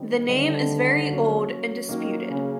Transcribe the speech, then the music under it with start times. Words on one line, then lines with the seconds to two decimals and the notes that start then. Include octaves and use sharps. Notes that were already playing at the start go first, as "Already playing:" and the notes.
The name is very old and disputed.
Already playing: D#3 G3 C4 D#4
0.29 D3 D#3 G3 C4 D#4
1.08 F#3 A#3 C#4
1.89 D#3 F#3 A#3 C#4
2.30 C#3